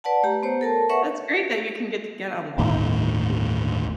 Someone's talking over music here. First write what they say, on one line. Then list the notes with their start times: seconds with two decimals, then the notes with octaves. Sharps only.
That's great that you can get get out and walk. Shoot.
0.04 B4 D5 F#5 A5
0.23 A3 G4 A#5
0.43 B3 C5 C#5
0.61 A4 A#4 A5
0.89 B4 C#5 E5 F#5 C#6
2.58 G1 D#2 A2 D#3